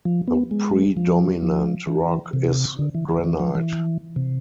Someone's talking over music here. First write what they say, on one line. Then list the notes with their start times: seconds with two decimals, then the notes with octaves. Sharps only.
The predominant rock is granite.
0.05 F3
0.28 B3
0.51 G#3
0.97 F3
1.43 F3
1.87 E3
2.33 C3
2.79 D3
2.95 E3
3.09 E3
3.24 E3
3.40 F3
3.55 E3
4.16 C3